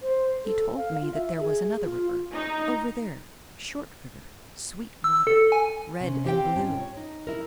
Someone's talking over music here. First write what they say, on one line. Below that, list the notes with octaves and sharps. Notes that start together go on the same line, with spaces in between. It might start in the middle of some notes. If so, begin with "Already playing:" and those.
He told me that there was another river--"over there, short river, sweet water, red and blue."
C5
A4
F5
F4
E5
G#4
F4
D#4
E6
A4
G#5
C3 C#4
C4 G4 C5 F5 G5
G#2 C#4 F4 G5 A5
C#5
D#4
E4 A#4